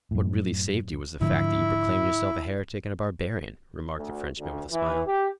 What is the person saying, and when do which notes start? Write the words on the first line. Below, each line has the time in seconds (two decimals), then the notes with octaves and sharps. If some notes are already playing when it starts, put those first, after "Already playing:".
"What really saved you was the fact that you proclaimed yourself a heretic and a barbarian," remarked the Frenchman with a smile.
0.11 F#2 A2
1.21 G#2 D3 F3 E4
3.97 D2
4.39 D2
4.71 E3
5.06 G4